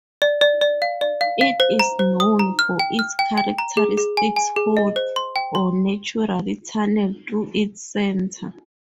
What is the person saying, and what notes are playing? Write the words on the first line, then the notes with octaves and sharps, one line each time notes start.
It is known for its characteristic hole, or natural tunnel, through its center.
D5
D5
D5
F5
D5
F5
F5
C5
A#5
C5
D#6
A#5
F6
G5
F6
G5
G5
A#5
G#4
G#4
G#5
G#5
G#4
D#5
C5
C6
G5
C6